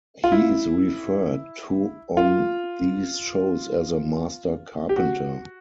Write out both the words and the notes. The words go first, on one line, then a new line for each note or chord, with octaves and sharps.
He is referred to on these shows as a "master carpenter".
F4
E4
F4
G4
F#4